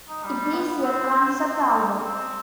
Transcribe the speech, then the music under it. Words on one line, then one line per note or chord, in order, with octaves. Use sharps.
It is a concept album.
D#4
G3
B3
C4
C4
D#4
C4